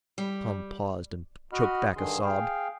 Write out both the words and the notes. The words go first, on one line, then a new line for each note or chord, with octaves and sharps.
Tom paused, and choked back a sob.
G3
F#4 D#5 F#5 B5 F6
G2 D3 D#3 G#4 C6
G#4 F5 G5